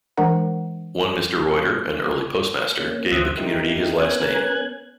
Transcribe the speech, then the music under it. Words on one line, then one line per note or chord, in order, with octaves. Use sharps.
One Mr. Reuter, an early postmaster, gave the community his last name.
E3 G#3 D4 A#4 F#5 A#5
A#3 C#4
D2 E3 C5 E5 F#5 D#6
D#4 E4 G4 A#4
B3 C#4 A#4 G#5 F#6 G#6